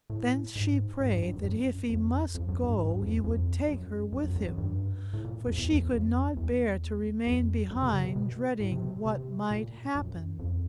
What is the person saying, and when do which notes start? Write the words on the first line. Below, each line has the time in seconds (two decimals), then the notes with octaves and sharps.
Then she prayed that if he must go he would take her with him, for she could not bear to remain behind dreading what might happen.
0.10 A2
0.56 G#2
1.00 G#2
1.11 G2
1.22 G2
1.33 F#2
1.44 F#2
1.89 F2
2.35 F2
2.49 F#2
2.64 G2
2.79 G#2
2.90 G2
3.02 F2
3.12 E2
3.24 F2
3.69 F#2
4.12 F#2
4.24 F#2
4.36 F#2
4.47 F#2
4.58 G2
5.13 A2
5.24 A#2
5.47 F2
5.58 E2
5.70 F2
5.81 E2
5.92 F2
6.37 E2
7.27 F2
7.70 F#2
7.82 C3
7.93 C#3
8.05 C3
8.16 B2
8.60 A2
8.72 C3
8.82 C3
9.05 C3
9.51 A#2
9.95 F#2
10.39 F2